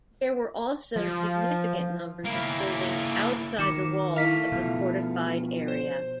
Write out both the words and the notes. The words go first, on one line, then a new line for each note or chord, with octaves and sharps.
There were also significant numbers of buildings outside the walls of the fortified area.
F3
A#3 E4
D#3 D6 C#7 E7
A3 E4 F5 B6
B2 F3
C5